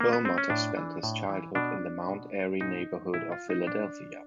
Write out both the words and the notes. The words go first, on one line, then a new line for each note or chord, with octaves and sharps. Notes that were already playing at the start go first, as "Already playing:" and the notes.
Perlmutter spent his childhood in the Mount Airy neighborhood of Philadelphia.
A#3
B3
C4
C#4
A2 D4
E3
A2
E3
B2 D4
B2
A#2 D#4
A#2 E4
F4
D#4
A#2 D4